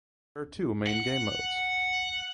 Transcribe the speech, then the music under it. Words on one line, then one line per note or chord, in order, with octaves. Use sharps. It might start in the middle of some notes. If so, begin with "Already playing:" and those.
There are two main game modes.
F#5